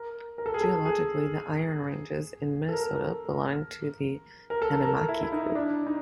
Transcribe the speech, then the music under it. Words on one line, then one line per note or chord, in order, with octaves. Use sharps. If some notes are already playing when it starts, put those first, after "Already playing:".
Geologically, the iron ranges in Minnesota belong to the Animikie Group.
Already playing: A#4
A#4
A4
G#4
A4
G#4
A4
A#4
A#4
A4
A#4
A4
E4
E4
D#4
D4
D#4